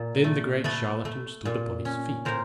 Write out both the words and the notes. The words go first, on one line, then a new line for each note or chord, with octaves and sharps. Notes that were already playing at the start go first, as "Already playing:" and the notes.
Then the great charlatan stood upon his feet.
Already playing: A#2
A3
A3 A4 B4
A3
A#2
C#4
A2 A#4 C5